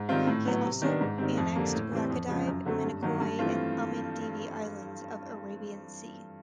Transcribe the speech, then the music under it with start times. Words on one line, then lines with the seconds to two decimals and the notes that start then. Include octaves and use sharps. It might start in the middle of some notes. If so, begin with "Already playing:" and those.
He also annexed Laccadive, Minicoy and Amindivi islands of Arabian sea.
Already playing: G#2
0.09 D#3 G3 C4 F4
0.27 A2
0.45 F#3 B3
0.64 C3
0.82 D#3 G3 B3 D4
1.01 G#2
1.18 D#3 G3 C4
1.37 F2
1.55 D3 G3 A#3
1.74 A2
1.92 E3 G3 C4
2.10 F2
2.28 C#3 F3 G#3 C#4
2.47 F#2
2.65 D3 F#3 A3 C4
2.84 G2
3.02 D#3 F#3 A#3
3.20 G2
3.39 E3 A3 C4 F4